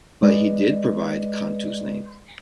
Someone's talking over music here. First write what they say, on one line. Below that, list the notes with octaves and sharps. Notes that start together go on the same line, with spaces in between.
But he did provide Cantu's name.
G#3 B4 D5 D#5